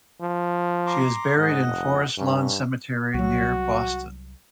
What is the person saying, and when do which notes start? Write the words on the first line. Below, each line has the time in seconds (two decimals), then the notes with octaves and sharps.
She is buried in Forest Lawn Cemetery near Boston.
0.21 F3
0.87 A#5 C6 D6
1.37 G#2 D#5 F#5
1.66 F1
2.18 G2 C#4
3.14 C2 F#3 F#4